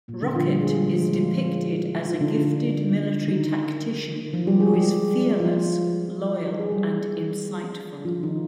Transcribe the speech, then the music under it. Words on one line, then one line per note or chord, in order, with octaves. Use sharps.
Rocket is depicted as a gifted military tactician who is fearless, loyal, and insightful.
A#2 A#3
D3 D4
F3 F4
G3 G4
G#3 G#4
G3 G4
F3 F4
G#3 G#4
F3 F4
F4
D#4
D3 D4
D#3 D#4
F3 F4
G3 G4
G#3 G#4
G3 G4
F3 F4
G4
G#4
G3 G4
F3 F4
D#3 D#4